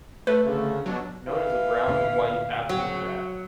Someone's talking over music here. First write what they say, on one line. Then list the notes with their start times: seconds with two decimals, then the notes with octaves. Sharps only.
Known as a brown-white abdomen rat.
0.27 A3 B4
0.44 D2 C#3
0.86 B2 F#3 D4
1.27 E3 F5
1.87 D1 A#2 D4
2.69 C#3 F#3